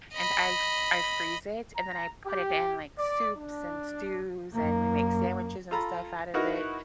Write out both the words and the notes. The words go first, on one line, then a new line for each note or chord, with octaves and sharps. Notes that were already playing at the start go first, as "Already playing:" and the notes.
and I fr I freeze it and then I put it in, like, soups and stews, and we make sandwiches and stuff out of it.
D#5 B5
A#5
G4
D5
D4
F#2 A#3
F4 A4 A#5 B5
D#4 E4 F#4 A#4 B4